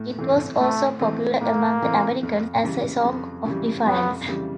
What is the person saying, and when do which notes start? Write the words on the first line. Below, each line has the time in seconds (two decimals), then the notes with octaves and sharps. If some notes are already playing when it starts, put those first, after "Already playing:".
It was also popular among the Americans as a song of defiance.
Already playing: A2
0.19 E3 A3 C4
0.59 A2 A3
1.00 E3 A3 C4
1.41 A2 A#3
1.82 E3 A3 C4
2.23 F2
2.64 C#3 E3 G3
3.05 F2
3.46 C#3 E3 G3
3.86 F2 B3
4.28 C#3 E3 G3